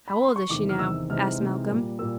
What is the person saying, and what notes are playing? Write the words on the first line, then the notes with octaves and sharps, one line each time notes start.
"How old is she now?" asked Malcolm.
B5
C6
C#6
E2 C3 D#3 D6
F6
E2 C3 D#3 E6
C3 E3 G#3 C4 D#4 F6
C3 E3 G#3 C4 D#4
A#2 G3 A#3
A#2 G3 A#3 E6